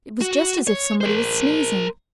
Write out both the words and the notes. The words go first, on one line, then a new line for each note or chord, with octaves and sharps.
It was just as if somebody was sneezing.
F#4
C#5
A#4 C5